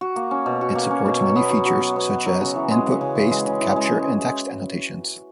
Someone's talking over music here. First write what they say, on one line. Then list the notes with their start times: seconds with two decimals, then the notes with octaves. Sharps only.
It supports many features such as input-based capture and text annotations.
0.01 F#4
0.16 A#3
0.31 C#4
0.46 B2
0.61 F#4
0.75 A#3
0.91 C#4
1.06 B2
1.21 F#3
1.36 B3
1.50 F#4
1.66 F#3
1.81 F#3
1.96 B3
2.10 F#4
2.26 F#3
2.41 C#3
2.56 E3
2.71 G#3
2.86 C#3
3.01 C#3
3.15 E3
3.31 G#3
3.46 C#3
3.61 E3
3.76 G#3